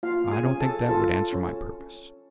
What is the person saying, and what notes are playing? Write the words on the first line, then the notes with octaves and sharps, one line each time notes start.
'I don't think that would answer my purpose.
A#3 F4 F5
G#4 G#5
C#4
A4 A5
F4 A4 A5
C#4